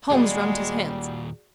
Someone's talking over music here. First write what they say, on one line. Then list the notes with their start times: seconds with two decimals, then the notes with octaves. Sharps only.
Holmes rubbed his hands.
0.10 D#2 A#2 G3 G#3 F#4 G#4 D5